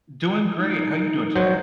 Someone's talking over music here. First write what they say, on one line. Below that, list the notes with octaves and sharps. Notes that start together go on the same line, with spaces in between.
Doing great. How you doing today?
D#4
F#3 C5